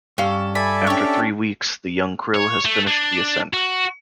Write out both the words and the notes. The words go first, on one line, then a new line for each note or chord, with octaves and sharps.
After three weeks, the young krill has finished the ascent.
G2 C#4 A4 F5
A4 D5 E5 G#5 B5
C#4 D4 G4 C#5
C#5
A3
D4
F#4